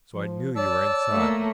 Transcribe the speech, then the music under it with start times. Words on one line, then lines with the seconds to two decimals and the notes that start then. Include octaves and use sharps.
So I knew you were inside.
0.13 F3
0.56 C#5 D5 A5 E6
1.13 A3 A#3